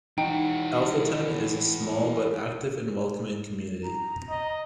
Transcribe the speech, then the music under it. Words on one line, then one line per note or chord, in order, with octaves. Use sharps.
Alpheton is a small but active and welcoming community.
E3 D#4 F#4 G5
A#5
D#5